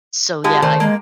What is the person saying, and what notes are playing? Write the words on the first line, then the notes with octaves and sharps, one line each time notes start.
So, yeah I
G#3 F4 G4 A5
D#3 A3 A#4 C5 D5
G#3 A#3